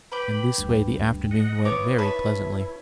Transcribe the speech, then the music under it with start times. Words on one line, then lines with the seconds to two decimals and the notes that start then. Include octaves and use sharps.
In this way the afternoon went very pleasantly.
0.12 B4 G5 B5 D6
0.58 D2 G2
1.31 D#5 F#5
1.65 B3 E4 C#5 D6
1.98 B4 C#5 A5